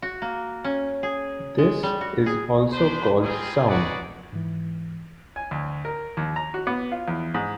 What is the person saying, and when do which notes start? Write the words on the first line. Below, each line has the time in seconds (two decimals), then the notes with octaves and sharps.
This is also called sound.
0.02 F#4
0.22 A#3
0.64 C#4
1.03 G#4
1.58 G#3
1.83 G3
2.01 F#4
2.26 G#4
2.72 G#3 D4 B4 C5
3.22 G3 A#3 C4 F4 G#4
3.68 D#4 F#4 G#4 B4 D5 F#5
4.33 G#2 E3
5.36 G#5
5.51 D2
5.85 A#4
6.17 D#2
6.36 A#5
6.54 F#4
6.67 B3
6.92 F4
7.08 E2
7.34 G#2